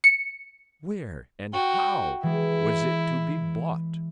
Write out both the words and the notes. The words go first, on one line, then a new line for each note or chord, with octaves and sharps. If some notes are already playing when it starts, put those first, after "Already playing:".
Where and how was it to be bought?
C#7
F#4 G5
E3 G#3 E4